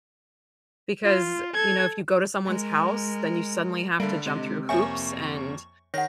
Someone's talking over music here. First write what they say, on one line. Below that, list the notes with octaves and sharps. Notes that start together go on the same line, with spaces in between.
Because, you know, if you go to someone's house, then you suddenly have to jump through hoops and
F4
A4 G#6
G#3 A#4
D3 G3 A3 A#3 D7
C3 G#3
F2 A#3 C#5 E5 G#5 C#6 C#7
D#3 C#5 F#5 A#6